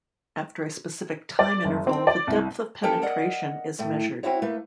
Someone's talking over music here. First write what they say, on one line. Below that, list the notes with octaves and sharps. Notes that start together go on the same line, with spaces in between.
After a specific time interval the depth of penetration is measured.
D5
F#1
C4
D5
C2
A#3 C#4 G4 A4 A#4 G5
A#4 D5 D#5 F#5
A2 A3
C4 C#4 E4 F#4 C#5
A3 A#3 B4